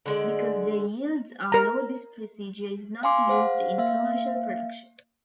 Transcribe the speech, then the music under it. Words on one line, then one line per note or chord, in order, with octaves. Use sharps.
Because the yields are low this procedure is not used in commercial production.
D3 G#3 D5
A#4 A#5
F5 G#5 C6 D6
G#4 C5 F5 F#5
A#3 E5 F5